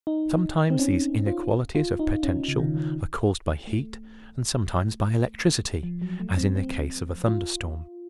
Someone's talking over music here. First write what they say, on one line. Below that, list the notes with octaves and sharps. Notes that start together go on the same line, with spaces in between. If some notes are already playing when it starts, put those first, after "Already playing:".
Sometimes these inequalities of potential are caused by heat and sometimes by electricity, as in the case of a thunder-storm.
D#4
C4
C#4
F4
F4
D#4
C#4
C#3
D#3
D#3
A3
F3
F#3
A3
C4
C4
F4